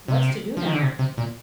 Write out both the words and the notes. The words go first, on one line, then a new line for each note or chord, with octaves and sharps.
"What's to do now?"
C3
F3
D#3
D3
C3
C3
A#2